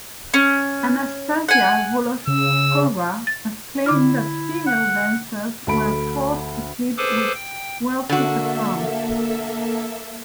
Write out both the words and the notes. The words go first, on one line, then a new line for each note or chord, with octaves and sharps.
Anastasia Volochkova has claimed that female dancers were forced to sleep with wealthy patrons.
C#4
F#5 G#5
C#3 E6
A6
D3 E4 D6 F6
F#5
D2 A4 B5 D7
G#4 A4 B4 C5 D6
G5
D3 A#3 F#4 A4 E5